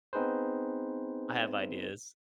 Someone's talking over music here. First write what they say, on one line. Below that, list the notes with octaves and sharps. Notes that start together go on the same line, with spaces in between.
I have ideas.
B3 C4 D#4 G#4 B4 C5